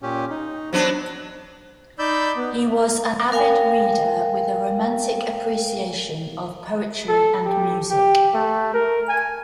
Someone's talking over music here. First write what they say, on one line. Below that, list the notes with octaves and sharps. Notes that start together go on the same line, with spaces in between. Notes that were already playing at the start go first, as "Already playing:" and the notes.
He was an avid reader with a romantic appreciation of poetry and music.
A#2 C#4 G4
D#4
F#3 B3 D4 C5
D#4 D5 B5 E6 G6
B3
A#4 F5 G5 G#5
A4
G4
G4
A3
A#4
G#5